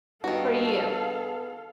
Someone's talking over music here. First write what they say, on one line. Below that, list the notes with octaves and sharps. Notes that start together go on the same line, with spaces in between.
For you.
G2 D#3 B3 F#4 A4 F5